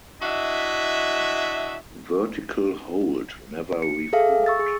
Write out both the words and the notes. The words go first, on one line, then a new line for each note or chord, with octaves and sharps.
Vertical Hold never reformed.
D4 E4 F#4 D#5 E5
C#7
G#4 A4 E5 F5
C#6 E6 A6
G#4 C#7